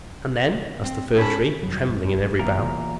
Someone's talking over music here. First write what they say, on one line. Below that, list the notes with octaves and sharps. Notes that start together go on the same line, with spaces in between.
"And then?" asked the Fir Tree, trembling in every bough.
C4
G#2 C#4 A5 B5
F1 G2 F#3
E2 A#2 A#4 A#5